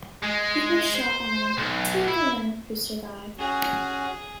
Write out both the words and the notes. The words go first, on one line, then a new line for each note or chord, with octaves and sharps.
He was shot along with two other men, who survived.
G#3
C5
B1
E4
C#4 F#4 G#4